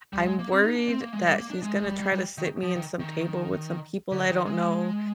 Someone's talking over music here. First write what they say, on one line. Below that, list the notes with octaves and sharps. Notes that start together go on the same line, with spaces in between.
I'm worried that she's gonna try to sit me in some table with some people I don't know.
G3
G#3
A#3
C4
D#4
D4
C4
A#3
G#3
G3
A#3
D4
G#3
G#3
G3
G3
G3
D#3
F3
D#3
D#3
D3
D#3
G#3